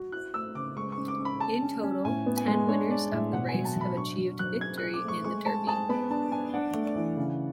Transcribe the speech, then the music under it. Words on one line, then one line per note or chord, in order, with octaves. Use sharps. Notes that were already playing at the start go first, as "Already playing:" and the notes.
In total, ten winners of the race have achieved victory in the Derby.
Already playing: F#4
E4 F#6
A3 E6
C#3 D6
G#3 C#6
C#6
C#4
D6
C#4
B5
G#4 A5
C#4
C#4
A2 G#5
B3
G#5
G#3
D4 C#5
D4 D5
A2 E5
B2 F#5
G#5
F#3
A5
F#3
B5
D4 C#6
F#3
F#3 F#6
G#4 G#6
F#6
G#4
D6
A3 C#6
G#3 C#6
G#3 A5
G#4 A5
B3 B5
D4 A5
D4 G#5
D4 F#5
A3
D5
E3
C#3